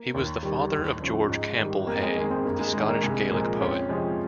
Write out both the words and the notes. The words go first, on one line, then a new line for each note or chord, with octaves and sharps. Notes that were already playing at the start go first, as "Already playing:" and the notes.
He was the father of George Campbell Hay, the Scottish Gaelic poet.
Already playing: A#3
D#2
D#3 G3
D#2
C#3 F3
G#2
D#3 G3
F2 A#3
G#3
D#3 G#3 A#3
G#3 C4
G2 A#3
G#3
D#3 G#3
A#3
C2 G#3
A#2 F3 G#3 A#3
F2 C#4 F4
C3 F3 G#3